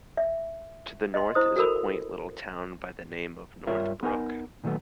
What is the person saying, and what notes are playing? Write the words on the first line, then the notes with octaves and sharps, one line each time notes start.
To the north is a quaint little town by the name of Northbrook.
E5
D#5 C6
E4 C5 D#6
F#4 A4 A#4 B5
G2 F4 A#4 C#5 E5
B3 D#4 A#4 G#5
A#2 D#3 F#3 A3 B3